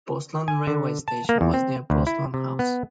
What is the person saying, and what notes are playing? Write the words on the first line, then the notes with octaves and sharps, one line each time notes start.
Postland railway station was near Postland House.
G#5
D3
A5
A#3
E2
C4
D2
E4
C3
B3